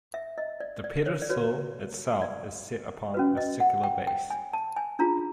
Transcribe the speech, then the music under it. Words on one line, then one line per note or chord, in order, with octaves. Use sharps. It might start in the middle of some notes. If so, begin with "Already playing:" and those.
The pedestal itself is set upon a circular base.
E5
D#5
D5
D5
C#5
D5
F#4 B4 C#5
D5
C#4 F#4 B4
D#5
F#5
G5
G5
G#5
A5
G#5
D4 F4 G#4 A#5